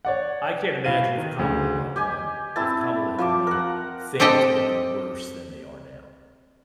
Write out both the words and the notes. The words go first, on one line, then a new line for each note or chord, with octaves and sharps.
I can't imagine if Kamala got won. If Kamala had won, things would be worse than they are now.
C#5 D5 F#5
B2 E4 F5 D#7
D#3
D2 C#3
G4 D#5 G#5
C4 E4 A5
F3 A5 D6
A#4 F#5
C4 G4 A4 D#5 G5